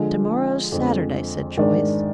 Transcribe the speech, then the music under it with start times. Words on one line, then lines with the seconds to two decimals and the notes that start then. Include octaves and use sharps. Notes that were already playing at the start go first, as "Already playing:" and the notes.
"To-morrow's Saturday," said Joyce.
Already playing: D3 F3 G#3
0.72 F2 D3 G#3 C4
1.57 G#2 D#3 G#3 D4